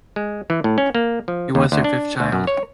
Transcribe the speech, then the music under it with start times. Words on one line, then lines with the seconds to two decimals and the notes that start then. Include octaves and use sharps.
He was their fifth child.
0.16 G#3
0.50 E3
0.64 A2
0.78 C#4
0.95 A#3
1.28 F3
1.55 D#2
1.72 D2
1.84 D4
2.20 D2
2.32 F#2
2.47 C#5